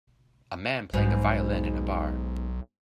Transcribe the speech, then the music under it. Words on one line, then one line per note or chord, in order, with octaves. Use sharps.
A man playing a violin in a bar.
B1 G#2 B2